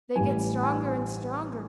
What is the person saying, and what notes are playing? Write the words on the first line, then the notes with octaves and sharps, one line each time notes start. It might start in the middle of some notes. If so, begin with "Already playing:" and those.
They get stronger and stronger.
A1 A2 E3 G3 G#5
G#5